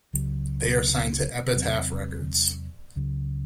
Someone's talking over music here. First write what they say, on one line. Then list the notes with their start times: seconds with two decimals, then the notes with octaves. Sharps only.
They are signed to Epitaph Records.
0.14 C#2 C#3 F#3
1.55 E2 C3 F#3 C4
2.96 C#2 C#3 F#3